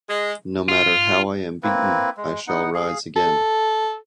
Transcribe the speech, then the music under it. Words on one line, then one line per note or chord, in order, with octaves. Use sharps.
No matter how I am beaten, I shall rise again.
G#3
F4
A#3 C4 E4 B4
G#3
B3 D#4 F#5
G#4 F5
A4